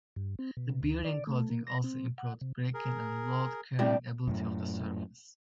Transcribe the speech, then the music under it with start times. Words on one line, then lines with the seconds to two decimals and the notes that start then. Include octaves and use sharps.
The bearing coating also improved break-in and load-carrying ability of the surface.
0.16 G2
0.39 C4
0.57 B2
0.82 D2
1.05 D5
1.27 A3
1.50 A#3
1.67 A#6
1.84 C4
2.18 F#5
2.41 C3
2.74 G#4 A#4
3.79 A2 C3 G3 B3 D4
4.27 F#2 A2